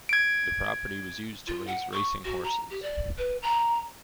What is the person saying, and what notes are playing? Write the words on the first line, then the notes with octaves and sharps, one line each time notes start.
The property was used to raise racing horses.
G#6 D7
F4
F#5
C#6
F#4
A#5
G4
D5
B4
A#5